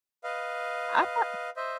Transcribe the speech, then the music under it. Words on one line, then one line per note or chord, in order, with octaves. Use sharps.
I thought
B4 D#5 F5
C5 D#5 E5